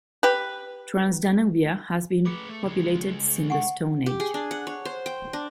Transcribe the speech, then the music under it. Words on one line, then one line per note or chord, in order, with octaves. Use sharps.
Transdanubia has been populated since the Stone Age.
G4 B4
A3 G#4 B4 D6
A3
C#2 G#3
F#5 G#5 C#6
G4
G#4
D4
F#5
C#5
C5
G5
D4